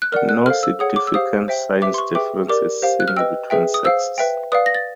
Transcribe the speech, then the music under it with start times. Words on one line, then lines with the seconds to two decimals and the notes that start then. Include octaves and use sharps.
No significant size difference is seen between sexes.
0.02 F#6
0.12 A#4 D5 F#5 F6
0.29 F#6
0.46 A4 C5 F5 F6
0.63 E6
0.79 G#4 C#5 F#5 D#6
0.96 D6
1.07 E6
1.13 G4 C5 F5 D#6
1.48 C5 E5 G5
1.81 G4 B4 E5 D6
1.94 C6
1.98 C#6
2.15 G#4 B4 E5 G5 D6
2.48 G4 A#4 D5 D6
2.82 G4 C5 F5
3.00 F#6
3.08 F6
3.16 B4 D#5 G5 E6
3.50 G#4 B4 E5 G5
3.74 D#6
3.84 C5 F5 E6
4.18 B4 E5 G5
4.52 B4 D5 F5 D#6
4.66 A#6
4.75 A6